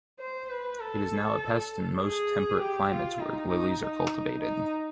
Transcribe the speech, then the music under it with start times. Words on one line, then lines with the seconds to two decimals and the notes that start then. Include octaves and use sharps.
It is now a pest in most temperate climates where lilies are cultivated.
0.20 C5
0.50 B4
0.80 A4
2.01 G#4
2.61 G4
2.91 F4
3.21 D#4
3.51 D#4
3.82 D#4
4.42 D#4